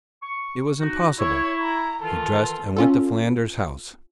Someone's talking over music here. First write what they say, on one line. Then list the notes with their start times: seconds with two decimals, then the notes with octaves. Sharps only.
It was impossible; he dressed and went to Falander's house.
0.22 C#6
0.80 D#4 F#4
1.19 E4 C#5
1.62 A#5
2.02 D#3 E3 F4 A4
2.77 C#4 F4 A4